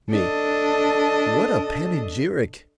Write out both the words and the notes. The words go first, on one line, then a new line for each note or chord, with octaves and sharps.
ME: What a panegyric!
D4 A4 D#5 A5